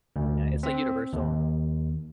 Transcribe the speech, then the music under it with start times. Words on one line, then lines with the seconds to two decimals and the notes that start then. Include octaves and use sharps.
Yeah, it's like universal.
0.16 D2
0.63 C4
1.13 D#2